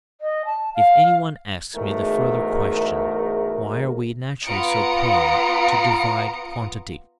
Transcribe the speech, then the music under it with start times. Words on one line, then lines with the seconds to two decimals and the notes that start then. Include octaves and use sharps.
If anyone asks me the further question, Why are we naturally so prone to divide quantity?
0.21 D#5
0.45 A5
0.75 F5
1.75 E2 G#2 F#3 G#3 A3 A#4
4.43 B3 F4 A#5 D#6 C#7 D7